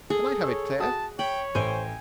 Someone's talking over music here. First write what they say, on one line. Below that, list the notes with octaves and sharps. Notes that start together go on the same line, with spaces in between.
Can I have it, Claire?
G#4 A4
C#5 E6
F#4 A5 D#6
C#5 G5 B5
A1 C5 G5 G#5